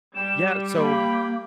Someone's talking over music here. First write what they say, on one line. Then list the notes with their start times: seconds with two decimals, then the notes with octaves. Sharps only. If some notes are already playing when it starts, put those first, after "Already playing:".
Yeah, so
0.15 G3 G5 D6 E7
0.75 A#3 B5